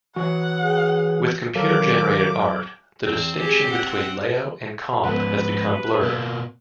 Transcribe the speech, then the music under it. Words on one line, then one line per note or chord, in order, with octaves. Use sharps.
With computer-generated art, the distinction between layout and comp has become blurred.
E3 F#4 C#5 F#5
G#4
D#3 F#3 A4 A#4 F5 D6
E2 C4
G4 G#4
F#5
G#2 F3 B3 B4 F#5
B2 A#3